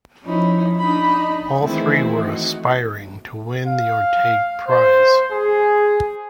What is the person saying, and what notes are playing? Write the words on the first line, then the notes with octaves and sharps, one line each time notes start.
All three were aspiring to win the Orteig Prize.
F3 C#4 D#4 E4
D4 D#4 D#5 B5
D#3 E3 A3 C4 E4 G#4
D#4 F#4
F5
C5
G#4